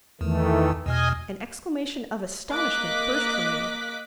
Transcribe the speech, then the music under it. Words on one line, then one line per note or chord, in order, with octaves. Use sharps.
An exclamation of astonishment burst from me.
E2 D#3 E3 A3
E2 B2 D#5 G#5 F6
A#3 D#5 D6 F#6 B6